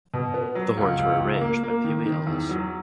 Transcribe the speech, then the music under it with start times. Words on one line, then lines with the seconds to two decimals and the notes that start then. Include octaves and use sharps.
The horns were arranged by Pee Wee Ellis.
0.14 B2
0.34 B3
0.55 F#3
0.78 C#2
0.99 C#2
1.20 C#2
1.41 A#3
1.63 A#3
1.84 D#3
2.06 D#3
2.27 E2
2.49 F#3